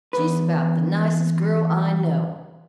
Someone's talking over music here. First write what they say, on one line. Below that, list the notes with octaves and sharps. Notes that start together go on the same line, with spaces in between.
"She's about the nicest girl I know."
E2 B4